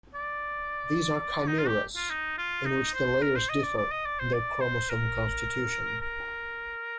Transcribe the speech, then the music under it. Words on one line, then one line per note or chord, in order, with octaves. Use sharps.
These are chimeras in which the layers differ in their chromosome constitution.
D5
D#4
F4
G4
F4
D#4
F4
D#4
C5
A#4
C5
D#5
D5
D5
D#5
D5
C5
D5
C5
A#4
A#4